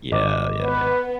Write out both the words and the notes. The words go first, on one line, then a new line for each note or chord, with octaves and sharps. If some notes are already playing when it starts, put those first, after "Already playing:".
Yeah, yeah, yeah.
G#1 D#5 D6
B3 B4